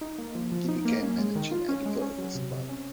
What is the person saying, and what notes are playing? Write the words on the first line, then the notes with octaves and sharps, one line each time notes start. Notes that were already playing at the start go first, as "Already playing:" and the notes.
He became managing editor of "Esquire".
D#4
A#3
F3
F3
D#4
A#3
C#4
G#3
D#3
F4
C#4
G#3
C#4
F#3
C3
C3
C#4